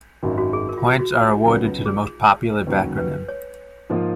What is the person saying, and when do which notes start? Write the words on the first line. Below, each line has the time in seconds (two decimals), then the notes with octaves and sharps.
Points are awarded to the most popular backronym.
0.23 G#1 F#2 D#3 F#4
0.38 F#4
0.53 G#4
0.69 A#4
0.78 F4
0.84 F#4
0.99 F#4
1.15 F4
1.30 D#4
1.44 C#2 C#3 F#3 B3 D#4 F#4
1.65 F4
1.86 G#4
2.67 D#2 C#3 F#3 B4
2.97 B4
3.28 C#5
3.90 G#2 F3 A#3 F4